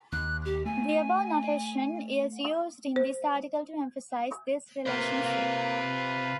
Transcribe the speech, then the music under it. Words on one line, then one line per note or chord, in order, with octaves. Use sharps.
The above notation is used in this article to emphasize this relationship.
D#2 F#6
G4
A3 G#5
C5
C3 A#3 F4 B4 C5